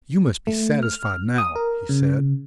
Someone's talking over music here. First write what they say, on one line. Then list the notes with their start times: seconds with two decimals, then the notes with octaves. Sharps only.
"You must be satisfied now," he said.
0.47 A3
0.83 F6
1.38 D#6
1.56 A#4
1.89 C#3